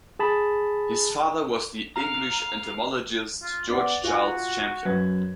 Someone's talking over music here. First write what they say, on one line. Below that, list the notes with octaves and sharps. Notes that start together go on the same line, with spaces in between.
His father was the English entomologist George Charles Champion.
G#4 A5 B5
F5 A#5
F4
B3 D5 F#5
F4 F#4 G#5
F#2 B4 G#6